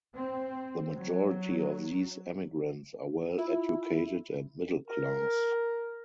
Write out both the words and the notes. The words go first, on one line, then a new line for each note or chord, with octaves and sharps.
The majority of these emigrants are well-educated and middle-class.
C4
F#3
E4 F4
A#4